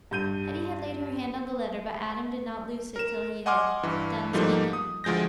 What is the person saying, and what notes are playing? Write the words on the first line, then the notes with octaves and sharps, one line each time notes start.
Hetty had laid her hand on the letter, but Adam did not loose it till he had done speaking.
G2 G6 D#7
A#4 E7
D#5 F#5 G#5 C6 D6 F6
G2 E3
G#2 F3 G3 A3 A#3 D#4
D#6
D2 F3 G#3 G6 A#6